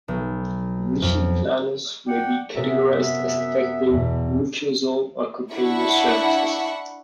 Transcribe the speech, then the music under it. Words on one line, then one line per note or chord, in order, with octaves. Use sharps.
Lichen planus may be categorized as affecting mucosal or cutaneous surfaces.
B1
F2
D5 F#5 G5
F#2 C3 B3 E5
E2 B2
D4 E4 F#5 B5 C#6